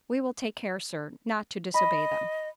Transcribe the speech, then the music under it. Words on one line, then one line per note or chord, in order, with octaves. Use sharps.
"We will take care, Sir, not to disobey them."
D#5 B5